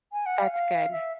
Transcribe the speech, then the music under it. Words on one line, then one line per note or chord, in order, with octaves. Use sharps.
That's good.
G#5
F#5
F5
F5
E5